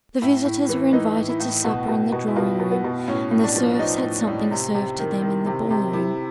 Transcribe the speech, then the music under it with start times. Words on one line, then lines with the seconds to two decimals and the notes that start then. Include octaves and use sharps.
The visitors were invited to supper in the drawing room, and the serfs had something served to them in the ballroom.
0.22 A2 E4
0.45 A2
0.69 E3
0.93 E3 D#4
1.17 A2
1.29 E4
1.40 A2
1.64 B2 F#4
1.88 B2
2.12 B2
2.28 E4
2.36 B2 F4
2.60 B2
2.71 B3
2.84 B2
3.08 A2 C#4
3.31 A2
3.44 D4
3.56 F3
3.79 F3 D#4
4.03 A2
4.27 A2
4.51 C3
4.75 C3
4.98 D#3
5.22 D#3
5.46 C3
5.70 C3
5.93 C3 E4